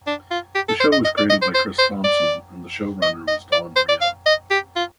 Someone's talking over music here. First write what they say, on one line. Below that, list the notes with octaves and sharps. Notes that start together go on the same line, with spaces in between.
The show was created by Chris Thompson and the show runner was Don Reo.
D4
F4
G4
A4
C5
D#5
D#5
D5
D#5
C5
C5
C5
D5
D#5
D#5
D5
C5
D5
F5
D#5
G4
F4